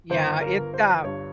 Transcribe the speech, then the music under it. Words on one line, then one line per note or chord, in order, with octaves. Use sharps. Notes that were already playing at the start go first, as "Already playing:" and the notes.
Yeah, it's, uh
G1 C5
A#4
G1
C5
G2 C#5